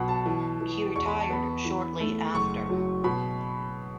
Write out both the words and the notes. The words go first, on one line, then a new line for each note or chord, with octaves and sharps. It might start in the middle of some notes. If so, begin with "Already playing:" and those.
He retired shortly after.
Already playing: B1 B2 F#5 B5
A5
E3
E3
E2 C#6
B5
A5
B3 B5
E3
A3
F#1 C#6
F#3
B2 B5